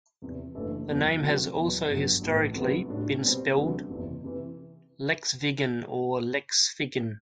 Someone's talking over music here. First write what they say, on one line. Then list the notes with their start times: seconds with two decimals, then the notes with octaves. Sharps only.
The name has also, historically, been spelled "Lexvigen" or "Leksviken".
0.22 E2 C3 E3
0.55 F#1 F#2 E3 A3 D4
0.88 E2 B2 F#3
1.22 D2 C3 F#3 B3 F#4
1.55 E2 B2 F#3
1.88 G1 G2 F#3
2.22 B1 A2 E3
2.55 D2 C3 F#3 B3
2.88 A2 G3 D4 F#4
3.22 B2 G3 C4 G4
3.55 D2 C3 F#3 B3 D4
3.88 F#1 E2 C3 E3
4.24 C3 E3